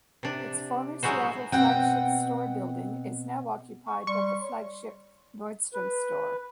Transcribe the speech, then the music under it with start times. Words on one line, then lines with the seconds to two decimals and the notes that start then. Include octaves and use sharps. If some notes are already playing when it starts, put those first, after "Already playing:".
Its former Seattle flagship store building is now occupied by the flagship Nordstrom store.
0.23 C3 D4
1.03 F#3 G#3 E4 F#4 C5
1.52 B2 C4 F#5 G5
3.87 C#6
4.07 G3 C6 C#6
4.41 C#5
5.74 B4